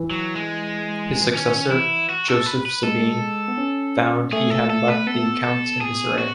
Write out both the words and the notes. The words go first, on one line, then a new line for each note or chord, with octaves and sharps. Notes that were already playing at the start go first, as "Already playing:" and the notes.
His successor Joseph Sabine found he had left the accounts in disarray.
Already playing: E3
F#3
G#3
E3
D#3 C#4
E3 E4
F#4
A4
B4
B4
G#3 A4
B3
C#4
A3 G#4
A4
A4
B4
B3 A4
A3
B3
A4
G#4
F#4